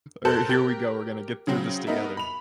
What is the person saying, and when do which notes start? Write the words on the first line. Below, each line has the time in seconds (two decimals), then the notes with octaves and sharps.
All right, here we go, we're gonna get through this together.
0.25 A4 A#4 C5 A5 F#6 G6
0.49 G4 A#4
1.47 C#3 F#3 C4
1.87 B3 D#4 A#4 E5
2.17 B5 F7